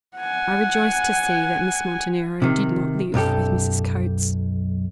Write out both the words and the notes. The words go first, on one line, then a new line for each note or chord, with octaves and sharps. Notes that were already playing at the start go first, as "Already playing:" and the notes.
I rejoiced to see that Miss Montenero did not live with Mrs. Coates.
F#5 G#5
C3 D#3
B1 F#2 G4 A4